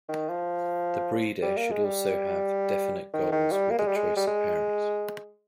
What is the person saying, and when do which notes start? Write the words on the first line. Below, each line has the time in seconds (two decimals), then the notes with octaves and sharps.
The breeder should also have definite goals with the choice of parents.
0.09 D#3
0.29 F3
1.42 G3
1.57 A#3
1.70 G#3
1.85 G3
3.13 D#3
3.32 D#3
3.52 G3
3.70 A#3
3.79 G#3
3.87 G3
3.96 G#3
4.16 G3
4.27 G#3